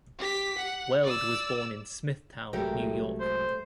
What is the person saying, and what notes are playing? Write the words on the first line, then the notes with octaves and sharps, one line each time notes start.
Weld was born in Smithtown, New York.
G4 B6
F#5
D5 E6
C2 F#3 G#3 A3 G4 A#4
C5